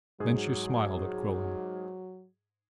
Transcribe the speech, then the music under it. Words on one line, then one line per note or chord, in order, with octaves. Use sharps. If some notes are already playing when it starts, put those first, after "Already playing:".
Then she smiled at Quillan.
G#2 F#3 G#4